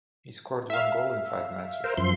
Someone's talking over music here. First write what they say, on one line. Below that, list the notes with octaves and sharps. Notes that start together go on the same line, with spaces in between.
He scored one goal in five matches.
E5 F5
A#4 C5
F#2 F3 C6